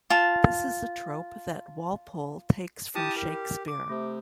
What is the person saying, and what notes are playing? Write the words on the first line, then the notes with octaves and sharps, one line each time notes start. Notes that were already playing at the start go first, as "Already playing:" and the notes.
This is a trope that Walpole takes from Shakespeare.
F4 A5
E4 G4 A5 D#6
G4 A#4
D6
C3 A3